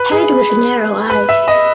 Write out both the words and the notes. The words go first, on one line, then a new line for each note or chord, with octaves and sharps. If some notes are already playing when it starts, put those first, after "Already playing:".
Head with narrow eyes.
Already playing: B4
G#4
B4
E5
D#5